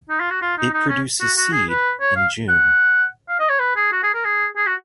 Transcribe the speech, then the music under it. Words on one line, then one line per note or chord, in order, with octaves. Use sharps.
It produces seed in June.
D#4
F4
F#4
F4
D#4
D#4
C#4
F#4
F#4
G#4
B4
C#5
F5
F#5
F5
D#5
C#5
B4
G#4
F#4
G#4
A#4
G#4
G#4
F#4